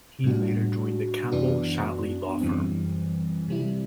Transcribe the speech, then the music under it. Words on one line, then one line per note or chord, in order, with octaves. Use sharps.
He later joined the Campbell Shatley law firm.
A2 G3 D4 F#4
F#2 E3 B3 D4 F#4
F#2 E3 G3 C4
C3 G3 C4 E4